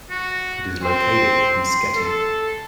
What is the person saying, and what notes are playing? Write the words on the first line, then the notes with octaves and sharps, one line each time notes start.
It is located in Sketty.
F#4
C4 C5
C6
A4